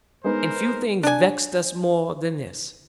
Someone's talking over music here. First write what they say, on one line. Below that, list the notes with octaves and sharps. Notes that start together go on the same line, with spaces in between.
And few things vexed us more than this.
G#3 B3 D#4 A#4 C5
D4 G#5